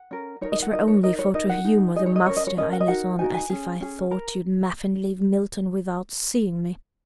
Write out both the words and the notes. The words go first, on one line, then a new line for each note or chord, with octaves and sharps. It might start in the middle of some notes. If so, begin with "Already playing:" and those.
It were only for to humour the measter, I let on as if I thought yo'd mappen leave Milton without seeing me.'
Already playing: F#5
C#4 A#4
D#4 A#4 C#5
D#5
F#5
D#4 A#4 D#5
C#5
D#4 A#4 D#5
C#5
D#4 A#4 D#5
F#5
D#4 G#4
D#4 G#4 D#5
C#5
D#5
C#4 A#4 C#5
D#5
C#5
C#4 A#4 D#5
F#5
D#5
D#4 F#4 A#4 F#5
D#4 F#4 A#4 G#5
G#5
C#4 G#4
C#4 G#4
A#4 A#5